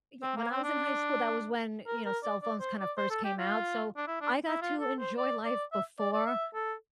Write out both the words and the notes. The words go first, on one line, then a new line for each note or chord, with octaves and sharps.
y when I was in high school that was when, you know, cell phones kind of first came out, so, I got to enjoy life before
C4
A#3
C4
D4
A#4
A#4
D5
D5
C5
D5
C5
A4
G4
F4
D4
E4
D4
E4
F4
A4
C5
D5
D5
E5
D5
D5
E5
A4